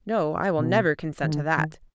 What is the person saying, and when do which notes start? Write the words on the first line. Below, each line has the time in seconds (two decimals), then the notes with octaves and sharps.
'No, I will never consent to that.'
0.58 B2
1.23 D#3
1.32 D3
1.57 D#3